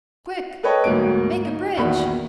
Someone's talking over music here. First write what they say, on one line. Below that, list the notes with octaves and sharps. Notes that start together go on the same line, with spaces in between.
Quick!--Make a bridge!
A4 B4 C#5 D#5 G5
D2 G#2 F#3 A#3 D7
D#4
A#1 E2 D#3 F#4 B5